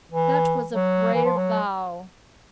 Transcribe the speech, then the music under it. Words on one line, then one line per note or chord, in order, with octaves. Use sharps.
"That was a brave vow."
E3
F#3
E3
F3
F#3